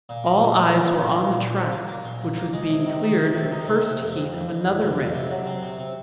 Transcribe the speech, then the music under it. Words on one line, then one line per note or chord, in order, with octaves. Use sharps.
All eyes were on the track, which was being cleared for the first heat of another race.
A#2
A#3
A#2
F#3
A#2
A#2
A#3
A#2
A#2
F3
A#3
A#3
A#2
A#1
A#3
G#3
C3
D#3
D#3
C3
C3
D#4
C3
C3
F2
F3
F2
F2
F2
C3
F2
C3
F#3
C4
C3
C3